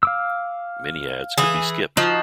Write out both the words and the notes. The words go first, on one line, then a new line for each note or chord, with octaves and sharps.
Many ads could be skipped.
F5 D6 E6
E3 G#4
F3 D#4 F#4 D#5